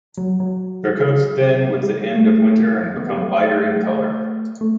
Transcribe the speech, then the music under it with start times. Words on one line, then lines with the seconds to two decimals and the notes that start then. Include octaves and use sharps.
Their coats thin with the end of winter and becomes lighter in color.
0.18 F#3
0.40 F#3
1.81 G3
2.15 A3
2.50 A3
2.97 B3
3.10 G3
3.21 A3
4.61 A3